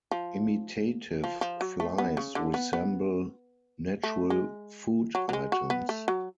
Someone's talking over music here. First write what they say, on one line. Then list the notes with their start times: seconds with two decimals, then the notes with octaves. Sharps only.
Imitative flies resemble natural food items.
0.11 F3
1.24 F3
1.41 F3
1.61 F#3
1.80 A3
1.98 B3
2.17 C#3
2.35 D3
2.54 B3
2.73 B3
4.03 A3
4.30 G#3
5.15 F#3
5.29 F#3
5.33 G#3
5.52 F#4
5.70 B3
5.89 A3
6.08 F#3